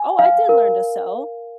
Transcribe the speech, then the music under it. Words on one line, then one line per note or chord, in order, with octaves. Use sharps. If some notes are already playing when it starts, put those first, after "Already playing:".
"Oh, I did learn to sew."
Already playing: G#5
F5
A#4